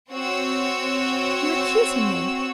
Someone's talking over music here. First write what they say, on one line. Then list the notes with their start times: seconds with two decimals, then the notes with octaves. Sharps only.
You accuse him, then?
0.10 C4 F#4 C#5 E6